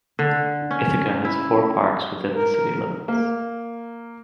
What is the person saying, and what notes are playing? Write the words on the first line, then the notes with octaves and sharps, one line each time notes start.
Ithaca has four parks within the city limits.
D3
C#4
E4
A#4
A#3